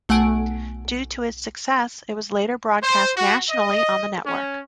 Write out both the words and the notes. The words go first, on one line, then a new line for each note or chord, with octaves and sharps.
Due to its success, it was later broadcast nationally on the network.
B1 A3 F#5 G#5 D7
C5
F#4
D#5
C#4